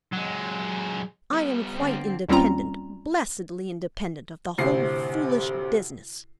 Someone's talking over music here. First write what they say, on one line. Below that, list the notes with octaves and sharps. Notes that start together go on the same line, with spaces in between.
I am quite independent; blessedly independent of the whole foolish business.
F#3 G#3
G3 B3
D3 C4
D#2 G3 C4 C#4 F4 A#5
A1 D2 C3 C4 C7